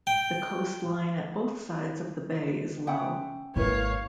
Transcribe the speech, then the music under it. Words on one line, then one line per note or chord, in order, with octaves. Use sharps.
The coastline at both sides of the bay is low.
G5
C#4 E5 F#5 G5
G#1 A#3 E4 B4 C#5 F5